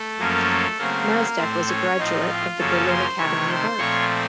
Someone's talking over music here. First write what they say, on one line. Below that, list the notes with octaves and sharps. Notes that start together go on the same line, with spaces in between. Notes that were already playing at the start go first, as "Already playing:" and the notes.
Matzek was a graduate of the Berlin Academy of Art.
Already playing: A3 A4
F#2 F3 A#3 C#4
C#3 F#3 A3 A#3 C4 A#4
A2 A3 C4 C5
C#4 C#5
A2 F3 C4 D#4 D#5
F4 F5
F#2 C#3 F3 A#3 C#4 A4 A5
C5 C6
C3 D#3 A3 C#5 C#6
C5 C6
A#2 F3 A3 C4 C#5 C#6